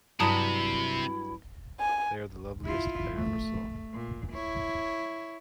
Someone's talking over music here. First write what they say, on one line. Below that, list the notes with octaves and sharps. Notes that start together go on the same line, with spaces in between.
They are the loveliest I ever saw.
G2 C3 F#3 E4 A5 A#5 D#6
G#5
E4 F4
A3
A#2
E4 C#5